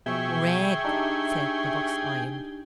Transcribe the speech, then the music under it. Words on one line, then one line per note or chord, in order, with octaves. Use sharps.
"Rag!" said the box-iron.
B2 F3 G#4 E5 G5 C#6
D4 D#4 G4